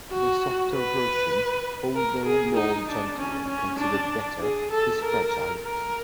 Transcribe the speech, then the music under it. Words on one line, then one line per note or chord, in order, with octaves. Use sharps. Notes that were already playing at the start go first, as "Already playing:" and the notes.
The softer version although more gentle and considered better, is fragile.
F#4
B4
A#4
G#4
D#4
D4
C#4
C#4
D4
G#4
A4
A#4
A#4